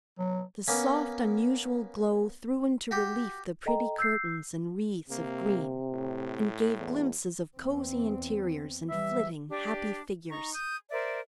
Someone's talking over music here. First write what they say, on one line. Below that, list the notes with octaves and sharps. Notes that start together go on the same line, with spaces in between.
The soft, unusual glow threw into relief the pretty curtains and wreaths of green, and gave glimpses of cosy interiors and flitting happy figures.
F#3
A#3 B3 C#4
F#4 G4
A4 D#5 G5 A#5
E6 G6 C7
C3 A#3
A2
E2
E2 C4
E3 G3 E5
D4 G4 D5
D#4 A#5 C#6
D#6 G6
A#4 C5 D5 E5